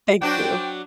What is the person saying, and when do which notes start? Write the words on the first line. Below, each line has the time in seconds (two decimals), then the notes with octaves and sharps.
Thank you.
0.21 F#3 D4 F#4 C5 D5 G5